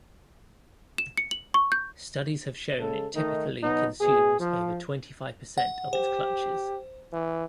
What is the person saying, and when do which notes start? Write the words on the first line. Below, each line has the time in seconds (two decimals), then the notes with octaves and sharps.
Studies have shown it typically consumes over twenty-five percent of its clutches.
0.98 E7
1.17 C#7
1.31 F#7
1.54 C#6
1.72 G6
2.79 C#3 G#3 A4
3.15 D#3 A3 D#4
3.64 B2 F#3 D#4
4.00 B2 G#4
4.39 F3
5.58 F#5
5.93 G4 C5
7.13 E3